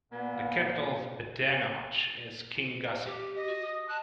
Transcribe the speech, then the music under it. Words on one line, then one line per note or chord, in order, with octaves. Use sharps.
The capital of Badenoch is Kingussie.
A#2 B3
G4
D#5
F#4
D#6
A5 F#6